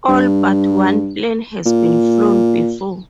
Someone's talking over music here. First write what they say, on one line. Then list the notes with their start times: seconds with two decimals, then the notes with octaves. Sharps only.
All but one plane has been flown before.
0.08 G2
1.66 A#2